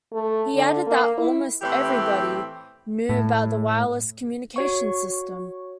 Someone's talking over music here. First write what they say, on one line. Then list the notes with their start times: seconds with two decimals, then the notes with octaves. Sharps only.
He added that "almost everybody" knew about the wireless communication system.
0.13 A3
0.55 D3
0.87 A#3
1.18 E4
1.62 A2 E3 C4 G4
3.09 A2
4.56 F#4 C#5 C#6